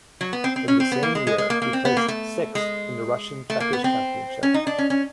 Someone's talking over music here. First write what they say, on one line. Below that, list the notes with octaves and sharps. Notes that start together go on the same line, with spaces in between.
In the same year, he placed sixth in the Russian Checkers Championship.
F#3
B3
C4
C4
C#4
C4
B3
A#3
G#3
G#3
G#3
A#3
A#3
C4
B3
A#3
A3
G#3
A3
A#3
B3
C4
C#4
D#4
D4
C#4
C#4